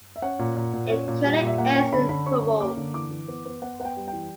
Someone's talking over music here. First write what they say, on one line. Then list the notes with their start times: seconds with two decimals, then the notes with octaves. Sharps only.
It currently airs in Qubo.
0.16 E5
0.22 C#4 F#5
0.39 A#2
0.56 A#2
0.73 A#2
0.90 C#4
1.08 A#2
1.25 G3
1.41 A#2
1.47 E5
1.58 A#3 F#5
1.75 C#4 G5
1.92 D3 B5
2.09 D3 B5
2.26 C#4 C#6
2.43 C#4
2.60 A#3 D6
2.77 D3
2.94 E3 D6
3.11 E3
3.28 B3
3.46 B3
3.62 B3 F#5
3.80 B3 F#5
3.85 G5
3.97 G3
4.08 G5
4.13 E3